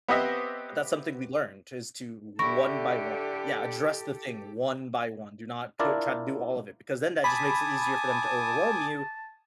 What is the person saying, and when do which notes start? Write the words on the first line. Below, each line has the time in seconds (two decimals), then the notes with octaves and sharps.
That's something we learned is to one by one Yeah, address the thing one by one, do not coat try to do all of it because then that just makes it easier for them to overwhelm you
0.08 B3 C4 G4 C5 D#5 E5
2.39 D3 E4 G4 A4 C#6 A#6
5.80 D4 E4 F4 A#4 D5
7.24 G#5 A5 B5 D6 D#6